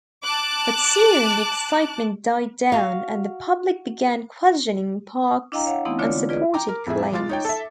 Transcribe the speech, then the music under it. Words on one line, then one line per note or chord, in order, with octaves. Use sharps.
But soon the excitement died down, and the public began questioning Parkes' unsupported claims.
A5 D6 F#6
F#4 F5
D4 E4 D#5 F5 G5 A#5
C#5 F5 F#5
E3 A3 B3 C4 D#4 E4
D3 G#3 D4 F4 C#5 D5
F4 G#4 B4 D5 D#5
G5 A#5 D6
A#4
F2 A2 G#4 E5
G#3 F4 D6 A6
D#4 C#5 G5
A4 E5